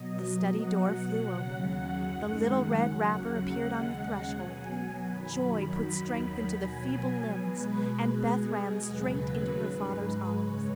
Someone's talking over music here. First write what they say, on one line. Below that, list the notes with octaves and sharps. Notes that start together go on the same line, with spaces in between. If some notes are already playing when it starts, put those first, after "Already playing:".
The study door flew open, the little red wrapper appeared on the threshold, joy put strength into the feeble limbs, and Beth ran straight into her father's arms.
Already playing: B2 F#3 D#5
B2 F#3 F#5
D#2 C#3 F#3
F#2 D#3 G#3
D#2 C#3 F#3
D#2 C#3 G#3 F#5
B2 F#3 G#5
F#2 D#3 F#3 B5
D#2 D#3 F#3
B2 F#3 G#5
B2 G#3 B4
B2 G#3 G#4
D#2 C#3 F#3 B4
G#2 G#3
F#2 C#3 G#3 C#5